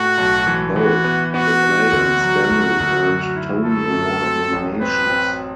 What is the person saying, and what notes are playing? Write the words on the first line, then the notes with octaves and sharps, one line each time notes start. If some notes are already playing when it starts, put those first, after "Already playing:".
Both the play and Stanley earned Tony Award nominations.
Already playing: A2 A3 F#4
B1
E3
E3 F#4
B3
B3 F#4
B3
D2
F#3
D2
D2
F#2
E4
A3 A4
F#2
C4
A1
C4 B4
C4